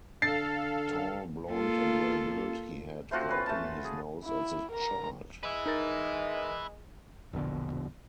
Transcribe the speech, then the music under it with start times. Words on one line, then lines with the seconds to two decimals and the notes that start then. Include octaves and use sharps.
Tall, blonde and well-built, he had broken his nose as a child.
0.22 D3 A4 F5 A6 C7
1.50 A#3 F4 A4
3.11 A3 C4 F4 F#4
3.29 C#4 B4 C6
3.46 A3 A5
3.84 G#4
4.25 E4
4.72 A#4 A#5
5.43 G#3 B4 E5
5.66 D#4 A#4 A6
7.33 E1 A#1 B2 D3